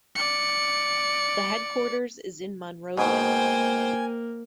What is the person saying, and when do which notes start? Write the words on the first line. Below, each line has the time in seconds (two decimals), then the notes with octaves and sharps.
The headquarters is in Monrovia.
0.15 D5 C#7
2.97 G#2 B2 A#3 C5 G5 G#5